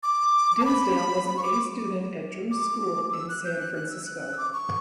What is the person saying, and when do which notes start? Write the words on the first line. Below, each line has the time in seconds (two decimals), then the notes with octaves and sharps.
Dinsdale was an A student at Drew School in San Francisco.
0.03 D6
0.60 A5
0.65 B5
1.27 B5
1.37 C#6
1.43 D6
2.51 D6
3.12 E6
3.29 F#6
3.44 G6
3.60 F#6
3.75 F#6
3.91 E6
4.06 F#6
4.32 E6
4.38 D6
4.53 C#6